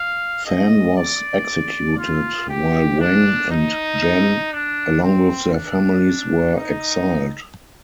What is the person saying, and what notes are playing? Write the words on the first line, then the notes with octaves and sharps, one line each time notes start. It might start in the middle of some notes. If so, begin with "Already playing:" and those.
Fan was executed, while Wang and Gen, along with their families, were exiled.
Already playing: F5
D#5
D5
F4
G4
D4
D#4
D4
C4
D4
D#4